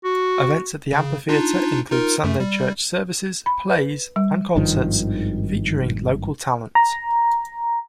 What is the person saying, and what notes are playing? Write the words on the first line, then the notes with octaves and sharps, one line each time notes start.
Events at the amphitheater include Sunday church services, plays and concerts featuring local talent.
F#4
C#3
D4 D#4 F4
D#4 F4 A#4
F#2 A3
G3
B5
B4
G3
G#1 G2 D#3 F3
A#5